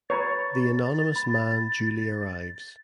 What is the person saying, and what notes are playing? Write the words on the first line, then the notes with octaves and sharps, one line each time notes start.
The anonymous man duly arrives.
B4 C#5 A#5 B5 A6
B5